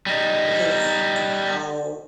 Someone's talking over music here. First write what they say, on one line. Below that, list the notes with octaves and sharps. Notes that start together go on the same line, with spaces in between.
because of how
G3 D#4